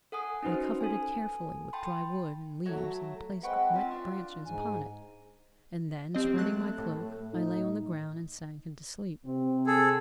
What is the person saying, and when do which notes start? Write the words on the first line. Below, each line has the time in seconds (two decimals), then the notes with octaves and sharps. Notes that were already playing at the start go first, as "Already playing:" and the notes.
I covered it carefully with dry wood and leaves and placed wet branches upon it; and then, spreading my cloak, I lay on the ground and sank into sleep.
0.12 A4 F#5 G#5 D#6
0.42 C#4 D#4 F#4 B4 C5
0.81 A4 G#5
1.73 G5 A5 B5 C6
2.66 F#3 A3 F#4 C#5 D5
2.77 A#5
3.43 G#3 C4 B4 F#5 G5 C#6
3.74 C4 C#4 F4 A5
3.91 D4 B4
4.46 G#2 G#5
6.15 F3 C4 G4 D#5
6.37 F#3 A3 A5 F#6
6.78 A2
7.33 D#4
9.25 C3 C4
9.67 G#4 A4